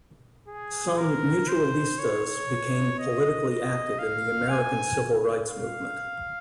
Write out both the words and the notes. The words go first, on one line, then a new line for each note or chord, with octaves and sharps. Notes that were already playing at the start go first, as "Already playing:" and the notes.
Some "mutualistas" became politically active in the American Civil Rights Movement.
G#4
A#4
C5
C#5
D#5
D#5
F5
G#5
F5